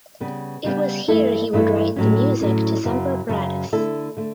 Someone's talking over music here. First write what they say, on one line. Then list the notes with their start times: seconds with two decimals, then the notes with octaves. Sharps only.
It was here he would write the music to "Semper Paratus".
0.20 C#3 G3 B3
0.64 C#3 G3 B3
1.08 G2 E3 A3 E4 A4
1.53 G2 E3 A3 E4 A4
1.96 A2 F#3 C#4
2.40 A2 F#3 C#4
2.85 F#2 C#3 F#3
3.29 F#2 C#3 F#3
3.73 D3 A3 E4 A4
4.17 D3 A3